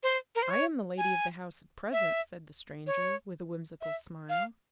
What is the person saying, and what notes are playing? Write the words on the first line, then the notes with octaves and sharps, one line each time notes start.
"I am the lady of the house at present," said the stranger, with a whimsical smile.
C5
A#4
C5
C#5
G#5
E5
C#5
E5
F5